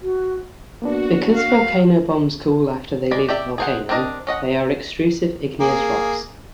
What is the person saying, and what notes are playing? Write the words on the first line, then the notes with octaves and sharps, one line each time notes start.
Because volcanic bombs cool after they leave the volcano, they are extrusive igneous rocks.
F#4
A#3 B3 D4 F#4
F5
G#3 D5 B5
G4 D5 E5
G#4 C5 F#5
C4 D4 A#4 D#5
C#4 D#5 F#5
A#3 G#4